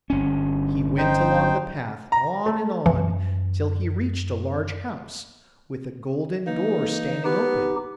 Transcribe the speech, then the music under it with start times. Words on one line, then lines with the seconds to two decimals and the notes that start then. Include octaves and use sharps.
He went along the path, on and on, till he reached a large house, with a golden door standing open.
0.10 G1 C#4
0.98 D#4 C5 G5
2.12 A#5
2.46 A3
2.86 F#2 E3 F4
6.47 E3 A#3 D#4
7.25 B3 D#4 G4